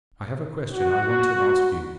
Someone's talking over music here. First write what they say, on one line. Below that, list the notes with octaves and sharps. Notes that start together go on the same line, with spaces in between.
'I have a question I want to ask you.'
F#4